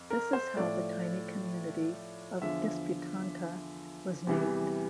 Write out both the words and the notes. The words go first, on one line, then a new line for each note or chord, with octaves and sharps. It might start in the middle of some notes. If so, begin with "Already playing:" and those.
This is how the tiny community of Disputanta was named.
Already playing: F2
A#4
C5
A2 F3 D5
E2 D3 F3 E5
E2 C3 E3 G3